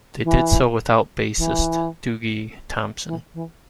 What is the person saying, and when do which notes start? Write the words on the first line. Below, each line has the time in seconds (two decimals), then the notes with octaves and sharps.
They did so without bassist Dougie Thomson.
0.24 E3
1.37 E3
3.06 E3
3.34 E3